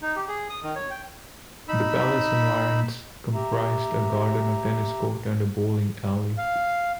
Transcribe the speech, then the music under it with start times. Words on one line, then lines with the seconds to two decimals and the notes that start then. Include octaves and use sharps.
The palace environs comprised a garden, a tennis court and a bowling alley.
0.02 D#4
0.16 G4
0.28 G#4
0.50 D#6
0.63 D#3
0.76 C#5
0.90 G5
1.68 D#4 B5 E6
3.34 G4 E5 A#5
6.38 F5